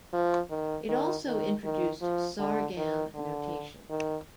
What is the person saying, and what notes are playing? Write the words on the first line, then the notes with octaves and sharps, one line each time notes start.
It also introduced sargam notation.
F3
D#3
D#3
D#3
D#3
F3
D3
D#3
D3
D#3